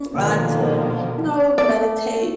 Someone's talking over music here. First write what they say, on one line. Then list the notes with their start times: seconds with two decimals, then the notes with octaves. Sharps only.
I like to, you know, meditate.
0.13 B2 D3 D#3 F3 A#3
1.58 A3 D5